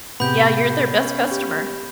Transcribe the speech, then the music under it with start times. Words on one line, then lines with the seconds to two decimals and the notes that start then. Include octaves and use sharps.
Yeah, you're their best customer.
0.20 A2 C3 B3 G4 G#4 B5 G6
0.98 C#4
1.31 G4